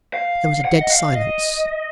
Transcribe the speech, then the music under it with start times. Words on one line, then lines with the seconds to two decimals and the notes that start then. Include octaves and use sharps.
There was a dead silence.
0.14 F5
0.65 F#5
0.81 D#5
0.90 F5
1.15 D#5